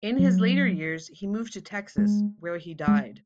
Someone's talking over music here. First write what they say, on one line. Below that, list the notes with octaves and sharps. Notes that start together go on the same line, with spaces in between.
In his later years he moved to Texas, where he died.
F#3
G#3
G#3